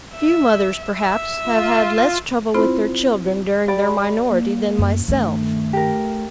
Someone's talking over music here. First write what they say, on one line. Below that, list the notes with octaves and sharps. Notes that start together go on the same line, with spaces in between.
Few mothers, perhaps, have had less trouble with their children during their minority than myself.
E5
E5
F4
C4 E4 F4 C5 B5
G4 D5 B5
A#3
F#2
G2 D#3 A3
G4 A#4